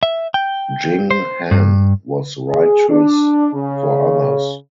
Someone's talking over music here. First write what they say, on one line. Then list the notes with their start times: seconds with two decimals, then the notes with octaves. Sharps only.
Jing Han was righteous for others.
0.03 E5
0.34 G5
1.11 C5
1.51 G2
2.48 G#4
2.90 D4
3.55 C#3